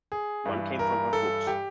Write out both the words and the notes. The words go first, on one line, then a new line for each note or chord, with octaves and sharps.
One came from her books.
G#4
G2 E3
A#4
A4
G4